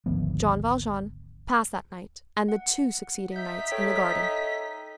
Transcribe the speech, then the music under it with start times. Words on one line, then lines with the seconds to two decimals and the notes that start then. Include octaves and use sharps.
Jean Valjean passed that night and the two succeeding nights in the garden.
0.06 G#1 D2 F3 B3
2.49 F#5
3.36 D#4 E5 G6 B6
3.71 A4 C#5 G5